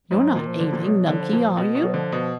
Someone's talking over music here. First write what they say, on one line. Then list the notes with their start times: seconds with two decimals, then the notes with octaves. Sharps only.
You're not ailing, Nunkie, are you?
0.11 G#2 F3
0.21 F#3
0.31 A#2 F3
0.40 D#3
0.47 F3
0.60 D3
0.73 A#2
0.84 B2 F#3
1.08 D3
1.21 F3
1.33 A#2
1.57 B2
1.75 B2
1.82 F#3
1.94 D3 F3
2.12 B2